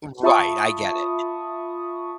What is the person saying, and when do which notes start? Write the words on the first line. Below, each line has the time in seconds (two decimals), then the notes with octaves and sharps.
Right, I get it.
0.23 F4 E5 A5 B5 C#6 D#6